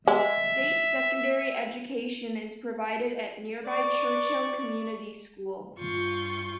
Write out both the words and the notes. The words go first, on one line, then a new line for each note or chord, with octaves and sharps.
State secondary education is provided at nearby Churchill Community School.
G#3 E5
D5 C#6
G2 F4 C#6 G6